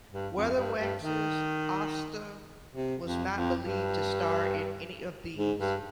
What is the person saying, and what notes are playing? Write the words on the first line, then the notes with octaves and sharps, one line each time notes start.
Weatherwax's Asta was not believed to star in any of these.
G2
F2
G2
G2
D#3
C3
F2
F2
G2
G#2
G2